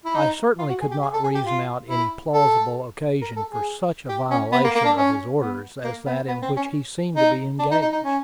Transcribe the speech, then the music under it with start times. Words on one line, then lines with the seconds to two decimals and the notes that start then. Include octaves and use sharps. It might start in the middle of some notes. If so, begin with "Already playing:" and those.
I certainly could not reason out any plausible occasion for such a violation of his orders as that in which he seemed to be engaged.
0.05 E4
0.15 D#4
0.59 F4
0.69 F#4
0.81 G#4
0.91 G4
1.02 G#4
1.14 A4
1.24 G#4
1.35 G4
1.45 F4
1.89 E4
2.34 A4
3.22 A#4
3.36 A4
3.50 G#4
4.08 G4
4.31 C#4
4.52 B3
4.64 A#3
4.75 A#3
4.85 D4
4.97 C#4
5.40 B3
5.84 A#3
6.06 B3
6.28 B3
6.42 C4
6.57 C#4
7.16 D#4
7.59 D4
7.71 D#4
7.82 D#4
7.92 D#4
8.04 C#4